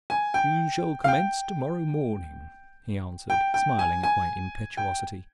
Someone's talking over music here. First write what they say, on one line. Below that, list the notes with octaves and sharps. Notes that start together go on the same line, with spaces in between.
"You shall commence to-morrow morning," he answered, smiling at my impetuosity.
G#5
G5
F5
G5
G5
G5
G#5
G#5
G5